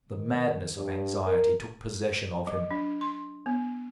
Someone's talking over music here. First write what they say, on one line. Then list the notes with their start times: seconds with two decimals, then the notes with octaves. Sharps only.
The madness of anxiety took possession of him.
0.14 D#3
0.76 G2
1.26 A#4
2.47 F#3
2.71 D4
3.01 C6
3.46 B3